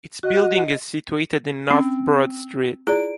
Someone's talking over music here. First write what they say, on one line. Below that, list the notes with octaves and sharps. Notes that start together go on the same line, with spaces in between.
Its building is situated in North Broad street.
F#4 D#5
C4 C#4
E4 F4 G#4 D5 D7